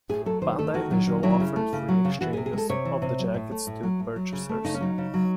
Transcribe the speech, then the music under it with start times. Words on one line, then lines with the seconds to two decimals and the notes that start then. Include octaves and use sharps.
Bandai Visual offered free exchanges of the jackets to purchasers.
0.09 A2 G#4
0.26 F#3 A4
0.42 D#3 C5
0.58 A3 A4
0.74 D#3 F#4
0.91 F#3
1.07 D#3
1.23 F#3 E4
1.40 C#3
1.56 A3
1.73 C#3
1.89 F#3
2.05 C#3
2.21 E3 F#4
2.33 G#4
2.37 C3
2.46 G#4
2.53 G#3 A4
2.70 C3 C#5
2.85 E3
3.02 C3
3.19 F#3
3.34 A2
3.51 A3
3.67 A2
3.83 F#3
4.00 A2
4.16 F#3
4.33 C#3
4.49 A3
4.65 C#3 D#4
4.74 C#4
4.81 F#3 D#4
4.98 C#3
5.14 F#3